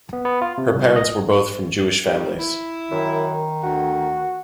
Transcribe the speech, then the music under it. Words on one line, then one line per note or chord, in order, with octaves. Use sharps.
Her parents were both from Jewish families.
B3
B3
F4
C3
C2
D#5
A2 D#3 G3
E4
F#2 D#3
D2 F#4